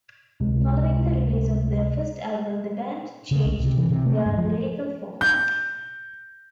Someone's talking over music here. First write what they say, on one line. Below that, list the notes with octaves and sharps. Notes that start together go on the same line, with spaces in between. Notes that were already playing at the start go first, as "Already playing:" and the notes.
Following the release of their first album the band changed their lyrical focus.
C#2 C3 G#3
C#3
C2
C3
E3
C3
A3
G2
F3
G6